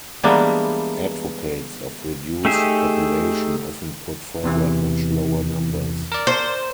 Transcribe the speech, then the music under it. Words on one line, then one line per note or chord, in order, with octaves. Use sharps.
Advocates of reduced population often put forward much lower numbers.
E3 G3 G#3 A#3 B3 D4
A3 D#4 G4 G#4 E5
E2 C3 E3
A#4 D5
C5